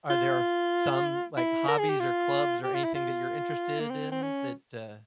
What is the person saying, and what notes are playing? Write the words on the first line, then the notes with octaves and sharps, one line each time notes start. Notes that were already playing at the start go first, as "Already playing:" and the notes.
Are there s some, like, hobbies or clubs or anything that you're interested in that, uh
F4
E4
A#4
G#4
G4
F4
G4
F4
E4
F4
A#3
C4
C4
C#4